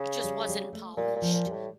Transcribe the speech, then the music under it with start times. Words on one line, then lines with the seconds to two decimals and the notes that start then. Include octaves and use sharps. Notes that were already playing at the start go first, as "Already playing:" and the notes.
just wasn't polished
Already playing: C#3
0.24 G3
0.48 G3
0.73 A3
0.97 A#2 G3
1.16 A#2
1.22 F3
1.33 A#2
1.46 G3
1.52 A2